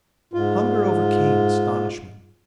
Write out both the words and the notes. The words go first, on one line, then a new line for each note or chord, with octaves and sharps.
Hunger overcame astonishment.
G#2 F4